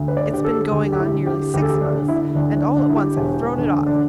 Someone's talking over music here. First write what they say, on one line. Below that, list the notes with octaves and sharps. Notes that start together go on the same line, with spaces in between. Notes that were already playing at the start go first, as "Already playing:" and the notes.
It's been going on nearly six months, and all at once I've thrown it off.
Already playing: D2
B4
D5
D3 G4
A4
D2 G4
G4
E4
D3
G4
D2 G4
A4
G4
D4
D3
E4
D2 D4
D4
D3 D4
E4
G4
E1
D2 D3
D4